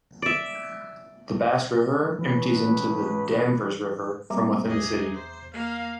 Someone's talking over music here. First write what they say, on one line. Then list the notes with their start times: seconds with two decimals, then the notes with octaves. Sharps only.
The Bass River empties into the Danvers River from within the city.
0.22 D5 E5
2.19 C#2 E3 B4
4.30 G3 A#3 C4 E5 A#5 D6
4.67 E2 G#4 D#5
5.14 C5
5.54 A#3 F5